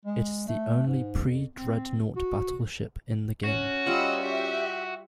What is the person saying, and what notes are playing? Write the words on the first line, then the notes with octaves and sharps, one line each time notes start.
It is the only pre-Dreadnought battleship in the game.
G#3
A3
G#2
F2
C4
F#4
C#4 F#4
G3 F4 D#5 F#5 B5 E6
G4 E5